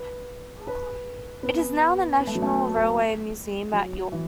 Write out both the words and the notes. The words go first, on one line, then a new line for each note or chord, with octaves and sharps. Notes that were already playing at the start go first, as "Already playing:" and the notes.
It is now in the National Railway Museum at York.
Already playing: B4
B4
B3
B3
A3
F#3
A3
F#3
E3